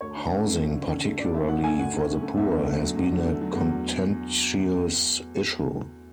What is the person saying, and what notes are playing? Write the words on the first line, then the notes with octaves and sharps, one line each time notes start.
Housing, particularly for the poor, has been a contentious issue.
D2 C#5
D3
C#4
A3
D2
D3
C#4
A3
D2 D5
D3 E5
C#4 F#5
A3 G#5
D2 F#5
D3
C#4
A3
E2 E5
D3
A3
F#3
E2
D3
A3
F#3
E2